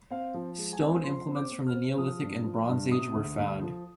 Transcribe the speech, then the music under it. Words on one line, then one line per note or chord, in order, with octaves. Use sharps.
Stone implements from the Neolithic and Bronze Age were found.
C4 F5
F3
G#3
G#5
C4
F3 C6
C4
D6
C4
F6
C4
F3 D#6
G2
F3
G2
C3 D#6
D2
D2
F3